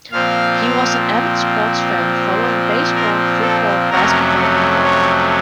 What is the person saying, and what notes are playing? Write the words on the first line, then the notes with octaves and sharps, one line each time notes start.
He was an avid sports fan, following baseball, football, basketball and golf.
A#2 F3 C4 F5
A#4
A4
F2 C3 F#3 A3 C#4 A#4
C#5